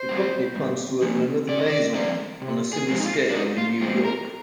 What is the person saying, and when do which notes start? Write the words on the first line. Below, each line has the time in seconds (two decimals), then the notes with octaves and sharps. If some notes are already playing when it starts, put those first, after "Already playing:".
The company plans to open another "Maison," on a similar scale, in New York.
Already playing: C5
0.09 G3 C4
0.55 G2
1.02 D3 F3 A#3
1.48 A#2 D5
1.59 D#5
1.70 D5
1.95 F3 C4 D5
2.42 C3
2.73 G#4
2.88 F3 G#3 C4
2.99 D#4
3.04 F4
3.30 D4
3.34 G#2 D#4
3.58 F4
3.81 F3 G#3 C4
4.05 A#4